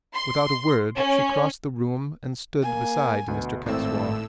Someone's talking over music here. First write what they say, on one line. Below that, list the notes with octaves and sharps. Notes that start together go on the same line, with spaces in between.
Without a word she crossed the room and stood beside Mr. Caswall.
C6
C#4
A#3 G#5
D2 B2
G#1 A2 A3 C4 A4 E6 E7